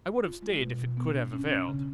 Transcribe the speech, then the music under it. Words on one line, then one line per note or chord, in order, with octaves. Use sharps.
"I would have stayed if it could have availed."
F4
G#3
B2
B2
B3
D4
C#4
C#4
C#3